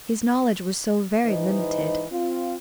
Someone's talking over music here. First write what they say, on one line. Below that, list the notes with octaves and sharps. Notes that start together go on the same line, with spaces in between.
His knowledge was so very limited.
G#2 E3 D#4 B4 C5 D#5
C4 F4